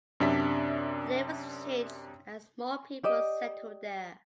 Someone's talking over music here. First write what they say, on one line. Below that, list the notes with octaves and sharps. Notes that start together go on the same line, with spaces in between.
The name was changed as more people settled there.
F#2 C3 D4 D5 E5 B6
G4 D5 D#5